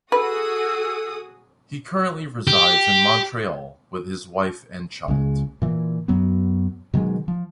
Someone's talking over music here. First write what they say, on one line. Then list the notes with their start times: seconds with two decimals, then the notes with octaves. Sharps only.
He currently resides in Montreal with his wife and child.
0.12 F#4 G#4 A4 B4 D#6
2.47 G4
5.08 C#2 C#3 G#3
5.62 A#2 E3
6.08 F#2 F#3 B3
6.94 B2 D#3 F#3 G#3
7.28 F3